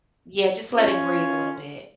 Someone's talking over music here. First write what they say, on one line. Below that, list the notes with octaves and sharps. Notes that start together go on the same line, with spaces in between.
Yeah, just let it breathe a little bit.
C#4 F4